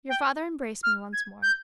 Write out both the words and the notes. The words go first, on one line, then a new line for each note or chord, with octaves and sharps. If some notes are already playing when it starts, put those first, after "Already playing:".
Your father embraced me once more.
G5
F6
G#6
G6